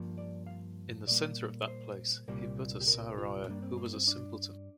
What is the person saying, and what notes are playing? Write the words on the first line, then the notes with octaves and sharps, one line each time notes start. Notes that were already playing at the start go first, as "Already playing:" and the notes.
In the centre of that place he put a Sahariya who was a simpleton.
Already playing: G2 F3 A#3
D5
F5
A#2 G3 A#3 D5
C5
C2 A#2 G3 A#3 A#4
G4
A#4
F4
G2 G3 A#3 D4
C4
A#3
C4
D4